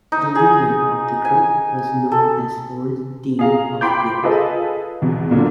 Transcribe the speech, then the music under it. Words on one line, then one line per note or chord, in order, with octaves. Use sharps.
The leader of the group was known as Lord Dean of Guild.
D#4
G#4
G#5
A4
G#4 F5 A#5
G5 B5 C6 D6 G6
F4 G#4 A4 B4 D#5
E2 B2
A#2 D3 F#3